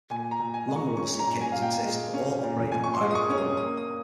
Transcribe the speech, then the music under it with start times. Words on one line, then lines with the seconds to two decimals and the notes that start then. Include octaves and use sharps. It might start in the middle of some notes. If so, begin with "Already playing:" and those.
Longer undersea cables exist, but all operate on direct current.
0.10 A#2 G#5
0.31 A#5
0.40 A#2
0.54 G#5
0.68 G#3
0.76 C#6
0.97 C#4 C#6
1.19 A#5
1.27 A#2
1.41 G#5
1.52 A#2 F5
1.62 G5
1.85 G#3
2.14 C#4
2.43 A#2
2.72 A#2 G#5
2.84 C#6
2.94 C6
3.01 G#3
3.11 D#6
3.15 C#6
3.30 C#4
3.38 D#6
3.57 A#3 D#6
3.77 D#6